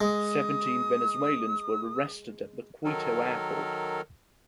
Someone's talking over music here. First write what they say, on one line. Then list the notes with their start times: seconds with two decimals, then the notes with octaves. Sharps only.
Seventeen Venezuelans were arrested at the Quito airport.
0.01 G#3 D#6
2.84 D#3 F#3 A4 A#4